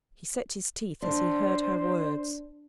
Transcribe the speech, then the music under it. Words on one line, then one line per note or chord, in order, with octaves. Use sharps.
He set his teeth as he heard her words.
D4 C5